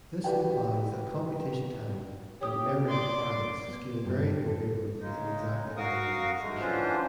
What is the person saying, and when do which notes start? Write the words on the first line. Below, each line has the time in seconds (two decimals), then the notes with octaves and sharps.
This implies that computation time and memory requirements scale very unfavorably in exact diagonalization.
0.24 F#4 G4 B4 D5 G5
2.41 G4 C#5 D#6
2.88 D5 C6 D6
3.68 B3
4.05 G2
4.46 A4
5.00 C#3 G#3 D#4
5.77 F#4 A#4 F5 C#6 D#6
6.38 G#3 A3
6.60 E3 F#3 C#4 D4 F4 C5